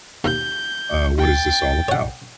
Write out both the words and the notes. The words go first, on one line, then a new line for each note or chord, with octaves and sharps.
uh, what is this all about?"
D#2 G6
G5 A6
C#5 F#5